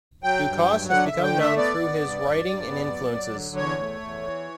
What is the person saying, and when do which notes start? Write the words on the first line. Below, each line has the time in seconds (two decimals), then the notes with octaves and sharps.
Ducasse has become known through his writing and influences.
0.24 F#3 G5
0.46 G2
0.68 F#3
0.90 D3 F#5
1.07 E5
1.12 D3
1.23 G5
1.35 A3
1.40 E5
1.57 B3 D5
1.78 B3
2.01 G2
2.24 G2
2.45 G2
2.68 B3
2.90 F#3
3.12 F#3
3.34 D3
3.56 E2 C#5
3.79 A3
4.00 E2
4.22 E3